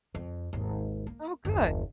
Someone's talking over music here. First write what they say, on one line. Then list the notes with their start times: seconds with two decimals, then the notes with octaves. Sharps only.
Oh, good.
0.15 F2
0.53 G#1 D#2
1.06 A#3
1.45 F#1 D#2